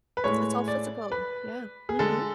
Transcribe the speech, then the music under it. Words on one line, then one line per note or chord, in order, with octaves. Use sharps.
It's all physical. Yeah, mhm.
B4
A2 G#3 C#5
D5
B4
G#4
D3 G#3 A4